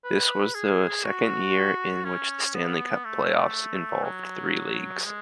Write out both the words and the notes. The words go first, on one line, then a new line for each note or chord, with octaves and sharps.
This was the second year in which the Stanley Cup playoffs involved three leagues.
B4
G#4
F#4
C#4
B3
A3
F#3
G#3